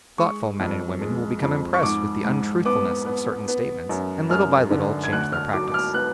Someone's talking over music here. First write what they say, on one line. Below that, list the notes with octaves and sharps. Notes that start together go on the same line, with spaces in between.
Thoughtful men and women will become impressed with the untruthfulness of certain statements and little by little change their practice.
G#3 C#6
F2
G#3
F2
C#6
G#2 D6
G#2
B3 D6
B3
B3
F#2
F#2 F6
D3
G#6
D2 F#6
F6
F#3 D6
D6
F6
B3 F#6